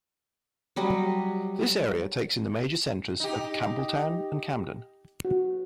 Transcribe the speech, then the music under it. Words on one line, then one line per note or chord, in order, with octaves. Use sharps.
This area takes in the major centres of Campbelltown and Camden.
F#3 G3 D#5
D#4 G4
F#4